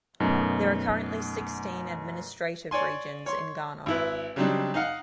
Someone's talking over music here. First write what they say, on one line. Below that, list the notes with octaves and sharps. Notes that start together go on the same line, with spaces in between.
There are currently sixteen administrative regions in Ghana.
F#2 B2 A3 D#4
C#5 D5 G#5 C6
C#5 C6
G#1 E4 B4
C#3 F#3 G3 C4 D4 D#4
D#4 D#5 F5 F#5